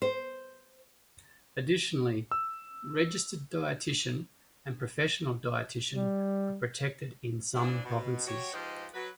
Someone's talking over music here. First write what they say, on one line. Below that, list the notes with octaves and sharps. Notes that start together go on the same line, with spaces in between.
Additionally, 'Registered Dietitian' and 'Professional Dietitian' are protected in some provinces.
C5
E6
G3
A#2 E3 F3 D4
B2
F#3 F#4 G4 C#5
G#2 F3 G4 B4 D#5 F5
F#3 B4